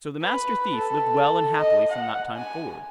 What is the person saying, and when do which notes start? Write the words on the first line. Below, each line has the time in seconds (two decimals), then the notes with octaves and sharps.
So the Master Thief lived well and happily from that time forward.
0.22 B4
0.74 A4
1.59 D#5
1.90 F#5
2.36 G#5